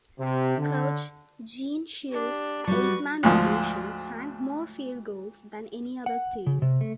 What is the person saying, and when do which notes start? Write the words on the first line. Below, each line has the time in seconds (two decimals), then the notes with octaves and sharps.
Coach Gene Shue's eight-man rotation sank more field goals than any other team.
0.19 C3
0.58 D3
2.10 D4 G4
2.67 G3 F#4 B4 C#6
3.23 D2 G#2 F3
6.06 F#5
6.47 C#3
6.62 C3
6.81 A3